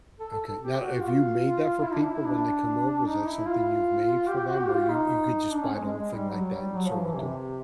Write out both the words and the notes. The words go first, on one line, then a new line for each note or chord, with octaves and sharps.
Okay, now have you made that for people when they come over? Is that something you've made for them? Or you you could just buy the whole thing like that and serve it to 'em?
A4
A4
G4
F#4
F4
E4
D4
E4
E4
D4
D#4
E4
F4
G4
G4
F#4
G4
F4
D#4
D4
C#4
G#3
G#3
G#3
G3
F#3
G3
F#3
F3
E3
C3